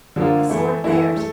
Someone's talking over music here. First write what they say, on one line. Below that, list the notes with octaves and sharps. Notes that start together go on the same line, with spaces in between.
"A sword of theirs."
D3 F3 A#3 F4
E3 A3 E4
E3 A3 E4
A3